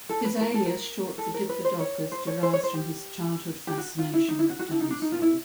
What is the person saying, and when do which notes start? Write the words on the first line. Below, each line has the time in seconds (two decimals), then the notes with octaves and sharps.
His alias, short for "Diplodocus", derives from his childhood fascination with dinosaurs.
0.09 A4
0.25 B4
0.41 A#4
0.54 A4
0.66 A#4
1.18 A4
1.34 A#4
1.49 B4
1.65 C5
1.80 C#5
2.12 C5
2.27 C#5
2.43 C5
2.53 C#5
2.63 C5
2.74 G4
3.67 G4
3.78 F#4
3.99 F4
4.13 E4
4.28 D#4
4.39 E4
4.49 F#4
4.59 F#4
4.71 E4
4.81 D#4
4.91 D4
5.02 D#4
5.12 F4
5.22 E4